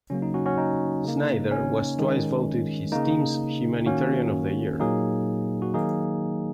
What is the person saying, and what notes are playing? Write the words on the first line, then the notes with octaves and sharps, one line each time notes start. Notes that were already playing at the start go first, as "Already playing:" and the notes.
Snyder was twice voted his team's Humanitarian of the Year.
C#3 F#3 A#3 C#4
D#4
C#4 F#4
C#4 F#4
D#4
C#3 A#3
C#4
D#3 G#3
C#3 A#3 D#4
D#3 A#3 C#4 F#4
A#2 F#3 A#3 D#4 G#4
F#4
D#3 F#3 A#3 D#4 G#4